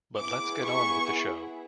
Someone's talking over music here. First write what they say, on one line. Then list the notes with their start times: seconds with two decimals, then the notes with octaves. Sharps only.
But let's get on with the show.
0.19 B3 E4 G#4 D6
0.65 C#6